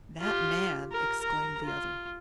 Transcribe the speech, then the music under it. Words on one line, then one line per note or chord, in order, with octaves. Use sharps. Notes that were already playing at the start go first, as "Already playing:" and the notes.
"That man," exclaimed the other.
F4 G4
A#4
A#4 A#5
F4